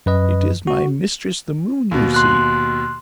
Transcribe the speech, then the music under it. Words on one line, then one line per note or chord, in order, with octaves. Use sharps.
'It is my mistress, the Moon, you seek.
F#2 B4 D#5
F#4
D#2 B2
C6 F#6